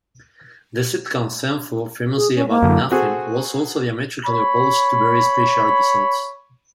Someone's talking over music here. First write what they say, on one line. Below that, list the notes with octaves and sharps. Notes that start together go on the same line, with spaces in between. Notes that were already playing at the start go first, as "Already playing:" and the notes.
The sitcom "Seinfeld", famously "about nothing," was also diametrically opposed to very special episodes.
G#4
C#4
A#3
F#2 D3
C4 F#4 G#4 A4
C#5 B5